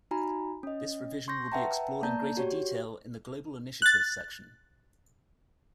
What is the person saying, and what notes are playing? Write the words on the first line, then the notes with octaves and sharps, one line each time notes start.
This revision will be explored in greater detail in the "Global Initiatives" section.
D#4 F#4 G#5 A#5 B5
C#4 D#5
C6 C#6 G6 A#6
B4 E5 F#5 G5 A5 A#5
A#3 D5 A5 A#5 G6
F#4 G4 C#5
F#6 A6